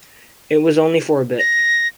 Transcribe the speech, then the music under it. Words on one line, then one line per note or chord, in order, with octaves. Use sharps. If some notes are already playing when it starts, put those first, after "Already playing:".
It was only for a bit.
A#6